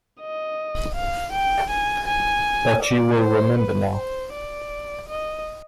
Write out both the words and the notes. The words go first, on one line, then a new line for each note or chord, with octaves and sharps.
But you will remember now.
D#5
F5
G5
G#5
G#5
D5
C5
B4
C5
D5
D#5